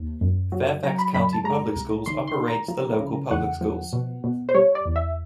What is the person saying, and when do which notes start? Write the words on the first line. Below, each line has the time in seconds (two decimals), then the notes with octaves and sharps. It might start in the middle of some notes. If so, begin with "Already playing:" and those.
Fairfax County Public Schools operates the local public schools.
Already playing: D#2
0.21 F#2
0.52 F#3
0.83 F#3 A#5
0.98 B5
1.14 F#2 B5
1.33 A5
1.44 G#3 A#5
1.76 C2
2.06 D#3 C6
2.27 C6
2.38 D#3
2.48 A#5
2.68 F3
3.00 C#3
3.31 E2 F#5
3.61 F3
3.93 B2
4.24 B2
4.49 C5
4.54 G3 C#5
4.75 D5
4.86 E2
4.96 E5